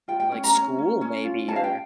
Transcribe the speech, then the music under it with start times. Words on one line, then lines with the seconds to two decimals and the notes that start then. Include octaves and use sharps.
Like, school maybe or
0.08 F4 G5
0.20 G5
0.32 C#4
0.44 A#5
0.54 C#4
0.78 C#4
1.01 C#4
1.24 F4
1.48 C#4 A5
1.56 F5
1.64 G5